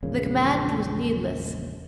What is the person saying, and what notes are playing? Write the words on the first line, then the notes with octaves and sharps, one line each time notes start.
The command was needless.
E1 A#1 A#2 C#3